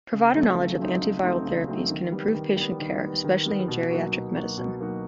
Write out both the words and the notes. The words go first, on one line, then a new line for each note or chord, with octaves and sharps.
Provider knowledge of antiviral therapies can improve patient care, especially in geriatric medicine.
C#3
F#3 A3 C4 D#4
C#3
F#3 A3 C4 D#4
C#3
F#3 A3 C4 D#4
C#3
F#3 A3 C4 D#4
D#3
G3 B3
D#3
G3 B3
D#3
G3 B3
D#3
G3 B3
B2
F#3 A#3 D#4 F#4
B2
F#3 A#3 D#4 F#4
B2
F#3 A#3 D#4 F#4